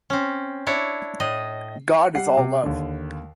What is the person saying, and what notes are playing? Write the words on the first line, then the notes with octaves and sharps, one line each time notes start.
God is all love.
C4 C#4
D4 E4 C#5
A2 D#5
G3 F#5 C7
C3
D#2 D3